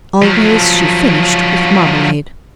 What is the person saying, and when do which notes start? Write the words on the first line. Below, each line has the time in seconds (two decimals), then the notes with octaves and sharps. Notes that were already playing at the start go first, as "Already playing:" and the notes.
Always she finished with marmalade.
0.22 F3 F#3